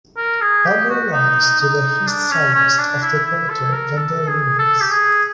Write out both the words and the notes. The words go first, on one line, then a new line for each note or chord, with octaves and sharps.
Balmer lies to the east-southeast of the crater Vendelinus.
A#4
G#4
G4
F#4
D#4
D#4
D4
C#4
C#4
D4
E4
E4
A4
A#4
A4
G#4
A4
G4
G#4